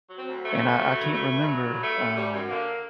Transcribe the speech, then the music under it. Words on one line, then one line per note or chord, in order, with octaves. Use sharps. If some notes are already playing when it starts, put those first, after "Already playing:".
And I I can't remember, um
F#3
C4
D2
C3 A3
D2
F#3
G2
A3
G2
F#3
G2
A3
F#2
G3
F#2
D3 A#3